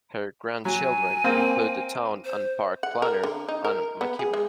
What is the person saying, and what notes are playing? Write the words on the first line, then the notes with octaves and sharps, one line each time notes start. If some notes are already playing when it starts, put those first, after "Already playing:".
Her grandchildren include the town and park planner Ann MacEwen.
F#3 G#5
A#3 C4
C5
F#5
A#4
D3
D#4
A#4
B3
G#4
G#3